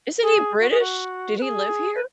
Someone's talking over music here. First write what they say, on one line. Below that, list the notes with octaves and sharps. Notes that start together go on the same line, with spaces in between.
Isn't he British? Did he live here?
G#4
F#4
G#4
F#4
B4
G#4
B4